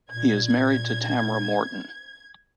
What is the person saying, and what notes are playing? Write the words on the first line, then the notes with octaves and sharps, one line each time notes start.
He is married to Tamra Morton.
A#2 G#6